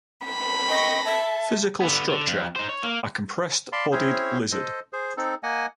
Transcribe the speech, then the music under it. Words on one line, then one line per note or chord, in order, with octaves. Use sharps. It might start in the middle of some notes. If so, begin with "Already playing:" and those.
Physical Structure: A compressed bodied lizard.
B5
D#5 G5 C#6 A#6
A4 E5 A5
D3 B3
D3
F2
D#4 C5
C#5
A#3
D5 F5 A5 B5 C6
C4 C#4 E4 G#4 C5 C#5
A4 C5 D#5
G#4 C5
C4 D#4 A4
A#3 D#5 F#5 G#5